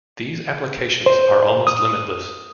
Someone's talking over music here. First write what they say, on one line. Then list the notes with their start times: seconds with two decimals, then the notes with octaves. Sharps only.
These applications are almost limitless.
1.06 C5
1.67 D#6